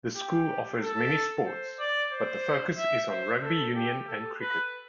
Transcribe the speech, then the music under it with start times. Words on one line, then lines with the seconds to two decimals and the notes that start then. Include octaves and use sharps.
The school offers many sports; but the focus is on rugby union and cricket.
0.16 G4
0.81 A4
1.46 C5
1.79 D5
2.12 C5
2.77 E5
3.10 C5
3.43 A4
3.75 G4
4.08 A4
4.41 B4